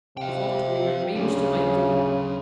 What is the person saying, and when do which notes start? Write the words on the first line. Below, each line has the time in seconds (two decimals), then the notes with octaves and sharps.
If not, we have means to make you.
0.17 C3 F5 G5
1.16 C#3 F#3 D4